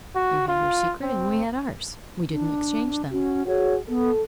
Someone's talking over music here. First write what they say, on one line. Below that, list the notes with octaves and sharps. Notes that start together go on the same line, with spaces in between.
You had your secret and we had ours; we didn't exchange them.
F#4
F4
C4
D4
C#4 F#4
F#4 G#4 C#5
B3 A4